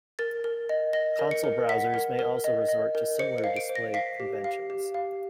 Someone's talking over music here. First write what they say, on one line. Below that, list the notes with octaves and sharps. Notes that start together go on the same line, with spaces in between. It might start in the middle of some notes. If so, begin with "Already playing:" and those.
Console browsers may also resort to similar display conventions.
A#4 A6
A#4
D#5
D#5 A#6
A#4
C#7
A#4
F#5 B6
A#4
A#4
D#5
D#5
A#4
C5 C#7
C#7
F5
D7
C5
A#6
F5 B6
G4
F5
G4
F5